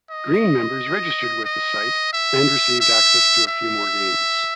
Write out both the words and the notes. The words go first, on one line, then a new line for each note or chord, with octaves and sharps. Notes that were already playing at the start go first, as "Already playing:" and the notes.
Green members registered with the site and received access to a few more games.
D#5
D#5
E5
E5
E5